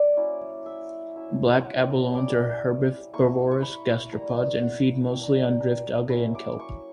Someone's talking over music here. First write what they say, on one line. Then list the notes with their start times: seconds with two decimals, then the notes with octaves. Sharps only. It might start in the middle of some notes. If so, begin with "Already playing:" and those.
Black abalones are herbivorous gastropods, and feed mostly on drift algae and kelp.
Already playing: A#3 D5
0.17 F#3 C#4 E4
0.66 E5
1.16 F#3 C#4 E4 E5
1.65 F#5
1.77 G5
1.90 A#5
2.14 G3 C#4 E4 D6
3.13 A#3 E4 C#6
3.51 C#6
3.62 B5
4.12 G3 A#3 E4 A#5
4.61 F#5
5.10 A#3 D4 G5
5.23 A#5
5.36 G5
5.60 A#5
6.10 F#3 A#3 C#4 E4 B5
6.35 D6
6.59 C#6